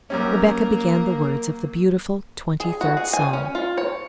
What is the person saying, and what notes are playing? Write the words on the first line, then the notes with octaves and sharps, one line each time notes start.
Rebecca began the words of the beautiful twenty-third psalm.
F#2 G3 A#3 C#4 A#4
G#4
F#4
G#4
G#5
C#4
F4
C#5